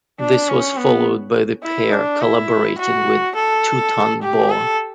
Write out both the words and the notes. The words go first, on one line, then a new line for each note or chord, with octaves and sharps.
This was followed by the pair collaborating with Two Ton Boa.
D4
C#4
B3
E4
D4
E4
F#4
A4
G4
A4